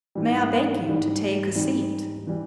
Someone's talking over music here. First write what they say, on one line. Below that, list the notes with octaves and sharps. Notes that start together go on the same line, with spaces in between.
May I beg you to take a seat?'
G#2 E3 G3
G#2 E3 G3
G#2 E3 G3
E3 G3